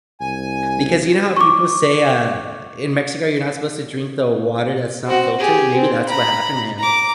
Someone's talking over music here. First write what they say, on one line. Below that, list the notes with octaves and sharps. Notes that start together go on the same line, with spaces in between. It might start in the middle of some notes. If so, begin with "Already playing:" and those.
because you know how people say, uh, in Mexico, you're not supposed to drink the water that's not filtered, maybe that's what happened to him.
C2 G#5
C#6 D6
C4 F#4
G4 G#4
C4
A#5 B5
A#5 D6